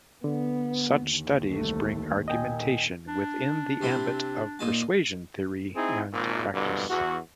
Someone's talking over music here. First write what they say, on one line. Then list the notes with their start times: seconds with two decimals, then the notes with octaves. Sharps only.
Such studies bring argumentation within the ambit of persuasion theory and practice.
0.24 D3 B3
1.04 D#2
1.50 C2 A3
2.28 A#2 D#5 G5 G#5
3.08 D4
3.81 C3 C4 E4
4.59 A#2 D#4 A5
5.76 C4 D#4 E4 G#4
6.13 G#1 A#2
6.53 C2 G2 B2 D3
6.89 E2 F#4